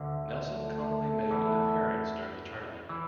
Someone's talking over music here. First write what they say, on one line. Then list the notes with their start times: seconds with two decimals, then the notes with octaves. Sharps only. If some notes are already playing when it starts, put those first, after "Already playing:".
Nelson commonly made an appearance during the tournament.
Already playing: D2 D3
0.51 A3
1.31 E2 E3
2.89 E3